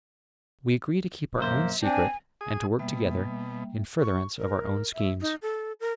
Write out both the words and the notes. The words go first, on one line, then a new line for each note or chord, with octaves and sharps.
We agree to keep our own secret, and to work together in furtherance of our own schemes.'
B1 F#2 A#3 C5 E5
C4 D4 G#5
G#4 D#6
B2 G3 A#3 E5
C#6
A#4
E5
D#4
A4
A#4